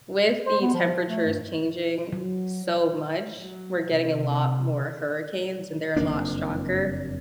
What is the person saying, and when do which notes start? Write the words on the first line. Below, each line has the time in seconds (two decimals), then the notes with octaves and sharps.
with the temperatures changing so much, we're getting a lot more hurricanes, and they're a lot stronger,
0.47 C5
0.61 B3
0.74 F3
1.07 A3
1.26 G2
2.13 F#3
3.36 F#3
3.91 C3
5.96 F#1 F2 A#3 D4